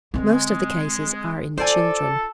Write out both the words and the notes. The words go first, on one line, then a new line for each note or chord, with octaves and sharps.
Most of the cases are in children.
D3 G#3 C4
F4 A4 C5 D5 G#5